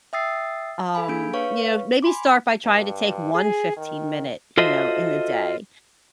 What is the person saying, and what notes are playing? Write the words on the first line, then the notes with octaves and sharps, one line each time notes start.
um, you know, maybe start by trying to take one fifteen-minute, you know, in the day,
E5 G5 D#6 E6 A6 C7
A4 F5 G#5 B5
A#3 D4 G#4 G6 D7
B4 C#5 F5 C#6
G#5 B5 C6 D6
G2
G#4
D#3
F4 F#4 A4 C5 D#5 E5